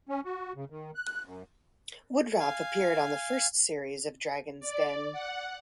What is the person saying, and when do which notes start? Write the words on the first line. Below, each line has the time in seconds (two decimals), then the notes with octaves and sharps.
Woodroffe appeared on the first series of Dragons' Den.
0.09 C#4
0.25 F#4
0.56 C#3
0.70 D#3
0.95 F#6
1.25 F#2
2.39 F5 G#5
4.60 D5
5.12 F#5